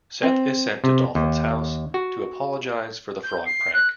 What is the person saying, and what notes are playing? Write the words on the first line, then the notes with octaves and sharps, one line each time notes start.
Seth is sent to Dolphin's house to apologise for the frog prank.
C4
C3
D#2
F#4
G6
C7
F#6